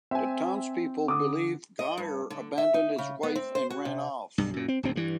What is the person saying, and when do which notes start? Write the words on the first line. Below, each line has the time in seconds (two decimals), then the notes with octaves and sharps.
The townspeople believe Geir abandoned his wife and ran off.
0.11 C4 E5 G#5
1.08 D3 D6 D#6
1.79 D#5
1.97 G2
2.30 D3
2.58 E5
2.74 D#4
2.98 C#3
3.23 B3
3.35 C4
3.55 C5
3.70 F#4
3.85 C3
4.38 B1 G2
4.54 F#2 A#2
4.68 C4
4.83 D1 D2 C4
4.96 G2 E3